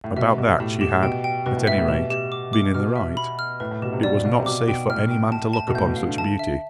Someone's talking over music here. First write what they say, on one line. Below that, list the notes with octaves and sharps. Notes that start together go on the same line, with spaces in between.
About that she had, at any rate, been in the right--it was not safe for any man to look upon such beauty.
A2
B2 E5
B2 G4
A2 G4
G4
B2 G5
G5
B2 B4
A2
A2 E5
A2
B2 G4
G4
D6
D6
B2 F6
E5
B5
F6
A2 B4
A2
B2 G4
C3
B2 D5
B2 F5
C3
B2 D6
B2 G5
A2 F6
G5
A5
A5
B2
A2 G6
B2
F5
D3
A5
E5